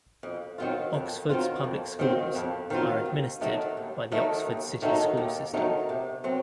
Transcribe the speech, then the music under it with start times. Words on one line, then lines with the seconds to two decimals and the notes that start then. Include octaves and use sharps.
Oxford's public schools are administered by the Oxford City School System.
0.23 F2
0.58 D#3 F#3 C4 F4
0.93 F2
1.29 D#3 F#3 C4 F4
1.64 F2
1.99 D#3 F#3 C4 F4
2.35 F2
2.70 D#3 F#3 C4 F4
3.06 D#2
3.41 D#3 F#3 A3 D#4
3.77 D#2
4.12 D#3 F#3 A3 D#4
4.47 D#2
4.82 D#3 F#3 A3 D#4
5.17 D#2
5.53 D#3 F#3 A3 D#4
5.89 C3
6.24 F#3 C4